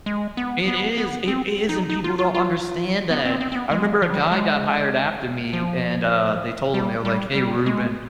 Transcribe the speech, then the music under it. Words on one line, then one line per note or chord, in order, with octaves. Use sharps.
It is! It is, and people don't understand that. I remember a guy got hired after me, and, uh, they told him, they were like, "Hey, Ruben"
G#3
B3
B3
B3
C4
D#4
D#4
F4
F4
F4
B3
C4
C4
C4
B3
G#3
F3
G3
F3
G#3
F3
G3
G3
G3
G#3